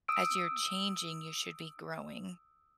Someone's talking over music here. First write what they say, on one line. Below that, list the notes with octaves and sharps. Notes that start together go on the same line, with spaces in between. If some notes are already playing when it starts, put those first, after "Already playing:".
as you're changing, you should be growing
D#6 E6 D7